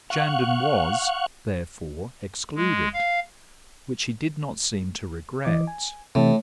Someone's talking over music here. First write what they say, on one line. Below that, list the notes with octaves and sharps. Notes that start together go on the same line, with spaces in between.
Shandon was, therefore, excluded, which he did not seem to regret.
F5 F#5 C#6
G#3
F5
E3 D#5 D6
G#5
A2 C3 E3 A5